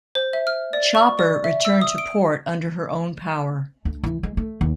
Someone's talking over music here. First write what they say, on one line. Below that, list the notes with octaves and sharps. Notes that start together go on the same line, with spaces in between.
"Chopper" returned to port under her own power.
C5
E5
F6
D5
C#6
D5
E5
E6
D#6
D7
D2
E3
G#3
A3
D#2